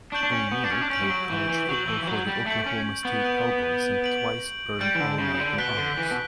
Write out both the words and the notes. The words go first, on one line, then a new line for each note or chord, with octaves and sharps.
O'Neal played college football for the Oklahoma State Cowboys, and twice earned All-American honors.
D4 C#6 G6 D7 F#7
D4
C#4
B3
D4
C#4
D4
C#4 C#6 G6 D7 F#7
G3
F#3
E3
E3
F#3 C#6 G6 D7 F#7
E3
E3
F#3
G3
A3 G6 D7 F#7
C#4
B3
G6 D7 F#7
G6 D7 F#7
G3 G6 D7 F#7
E3
D3
C#3
C#3
D3
B2 F#6 B6 D7 G7
D3
E3
B2